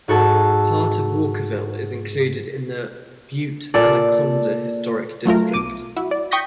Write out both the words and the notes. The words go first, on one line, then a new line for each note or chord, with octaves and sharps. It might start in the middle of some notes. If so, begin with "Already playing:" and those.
Part of Walkerville is included in the Butte-Anaconda Historic District.
G#2 F#4 A4 A5
A#2 A4 D5
F#3 A3 F4 A#4
B1 D6 D#7
E4 F#4
D5
G5 C#6 D#6 G6 A#6 B6